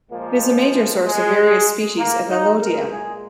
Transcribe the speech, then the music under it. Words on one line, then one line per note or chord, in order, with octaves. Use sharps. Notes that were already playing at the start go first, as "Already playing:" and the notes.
It is a major source of various species of elodea.
A#2 F3 G#3 A#3
G#3
A#3
D#4
A#2 G#3 A#4
G#4